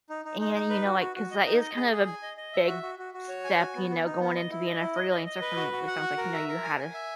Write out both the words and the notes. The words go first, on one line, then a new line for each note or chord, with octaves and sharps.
And, you know, like, 'cause, like, it's kind of a big step, you know, going into being a freelancer from, it sounds like, you know, you had a,
D#4
D#4
D#4
D#4
B4
F#4
F#4
F#4
D#5
D#4
D#5
G#4
G#4
G#5
D#5
D#5
E5
F#4
F#4
F#4
F#4
C#5
G#5
F#4
B3
B3
D#4
B3
D#5
E4
D#5
E4
D#5
D#5
D#5
B4
F#4
F#4
F#5
F#4
A#4
E5
A#4
G#5
G#5
E5